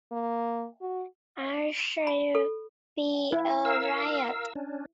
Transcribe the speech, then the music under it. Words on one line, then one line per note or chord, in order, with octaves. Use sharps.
I shall be a riot.
A#3
F#4
B5
A4
E4
A#4 F5 E6
C#4 D4